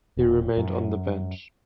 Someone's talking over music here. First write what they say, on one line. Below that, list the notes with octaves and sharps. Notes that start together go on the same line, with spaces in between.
He remained on the bench.
E1
F#2